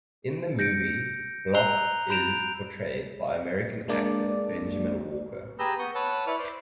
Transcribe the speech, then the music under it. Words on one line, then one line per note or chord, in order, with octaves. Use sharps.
In the movie, Block is portrayed by American actor Benjamin Walker.
G6 A#6 C#7 D7
A#5 E6 F#6 C7 F7 G7
B5 G6 D7 E7 F7
G#3 A#3 D4 D5
G4 G#4 B4 A#5 E6 G6
B3 C#6 D#6 G6
B4 C#5 F#5 A5 E6
E4 B4 D5 C#6 D6 F6
C5 D5